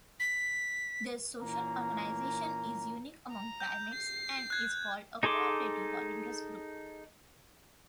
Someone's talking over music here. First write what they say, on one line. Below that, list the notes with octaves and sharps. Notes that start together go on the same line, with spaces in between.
Their social organization is unique among primates and is called a "cooperative polyandrous group".
B6
A#2 E3 A#3 C#4 A#5
A#5
G6
C7
F#6 G#6
D#4 G#4 A4 C6 D6